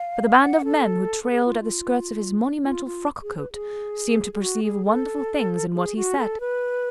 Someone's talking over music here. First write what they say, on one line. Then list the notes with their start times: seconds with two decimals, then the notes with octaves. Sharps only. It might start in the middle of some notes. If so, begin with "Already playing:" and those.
But the band of men who trailed at the skirts of his monumental frock-coat seemed to perceive wonderful things in what he said.
Already playing: F5
0.42 F#5
0.64 A4
1.24 A4
1.31 G#4
1.45 F4
1.61 F4
2.64 F4
2.86 F4
3.23 G#4
3.37 B4
3.52 G#4
4.33 G#4
4.41 F#4
4.63 G#4
4.85 A4
5.74 G#4
5.96 F#4
6.18 A4
6.40 B4